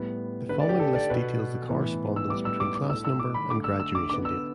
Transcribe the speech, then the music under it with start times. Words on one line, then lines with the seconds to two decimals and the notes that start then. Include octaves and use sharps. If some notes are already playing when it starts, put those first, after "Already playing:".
The following list details the correspondence between class number and graduation date.
Already playing: A2 G3 B3
0.49 D3 B4
0.53 A3
0.60 D5
0.69 G4
0.79 A4
0.95 D5
1.10 B2 B3 B4
1.69 A2 E3 B3
2.16 E6
2.29 A2 G3 B3 D6
2.45 E6
2.60 D6
2.75 D6
2.90 A2 A3 E6
3.05 E6
3.19 D6
3.34 B5
3.50 D3 D6
3.55 A3
3.64 E6
3.80 E6
3.95 D6
4.10 D3 B3 D6
4.25 E6